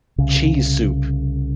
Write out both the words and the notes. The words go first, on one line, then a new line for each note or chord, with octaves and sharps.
cheese soup."
C2 C#3